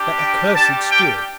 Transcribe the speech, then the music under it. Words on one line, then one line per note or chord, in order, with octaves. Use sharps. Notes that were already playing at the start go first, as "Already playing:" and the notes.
That accursed steward!
Already playing: G3 D4 G4
G5
G3 D4 G4 A5
G5